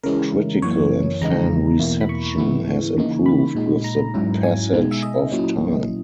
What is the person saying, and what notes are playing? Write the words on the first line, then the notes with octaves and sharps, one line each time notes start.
Critical and fan reception has improved with the passage of time.
C#3 E3 G#3 C#4 E4 A#4
F#2 E3 A#3 C#5
E2 C#3 G#3 B3 D#4 A#5
E2 B2 A#3 E4
B5
C#6
G#2 E3 G#3 B3 E4
C#3 E3 A#3 D#4
B5
A#2 G#3 D#4
A#5
G#2 F#3 C#4 E4
G#5
B2 G#3 D#4
E5
D#5
A#2 F#3 C#4 E4